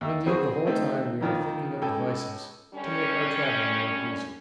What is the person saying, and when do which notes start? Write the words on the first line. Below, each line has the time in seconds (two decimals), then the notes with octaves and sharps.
But indeed the whole time we are thinking of devices to make our travelling work easier.
0.01 D#2 E5 E6
0.26 F2 C4 F#4 G#4 C5 C#6
0.66 D#3 A3 C4 D#4
1.21 F2 D#3 F3 A#3
1.82 C#2 A4 G5 G#5
2.74 F#2 D3 G3 C#4